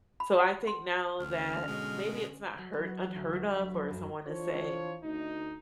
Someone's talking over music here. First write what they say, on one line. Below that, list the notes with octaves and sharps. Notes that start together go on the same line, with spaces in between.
So I think now that maybe it's not hur unheard of for someone to say,
B5
F#5
C6
D2 D3 C#4 F6
B2 G#3
F#3
B3
F#5
F#5
D2
F#3
B5
F3
F#2
E3 F3 D4 F4 C5 C#5
D2 D#4